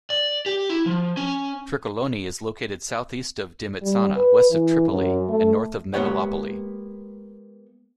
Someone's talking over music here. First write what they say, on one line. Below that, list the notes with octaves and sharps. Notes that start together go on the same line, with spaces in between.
Trikolonoi is located southeast of Dimitsana, west of Tripoli and north of Megalopoli.
D5
G4
E4
F3
C#4
G3
B4
E3
F#2
A3
G#3 A#3 B3 G4 C#5 F#5